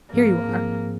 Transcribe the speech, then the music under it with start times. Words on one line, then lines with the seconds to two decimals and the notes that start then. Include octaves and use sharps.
"Here you are!"
0.13 G#2 F3 A#3 C4 G#4
0.48 G#2 F3 C4 G#4